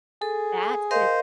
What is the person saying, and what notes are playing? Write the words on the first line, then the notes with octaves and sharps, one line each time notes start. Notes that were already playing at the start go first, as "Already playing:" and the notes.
That is
G#4 A4
A#4 C5 D#5 F5